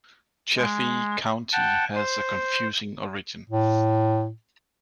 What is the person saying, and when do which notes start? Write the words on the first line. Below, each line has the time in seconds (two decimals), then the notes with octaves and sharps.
Chaffee County has a confusing origin.
0.56 G#3
1.52 F#5 G5 A5
1.95 C5
3.50 A2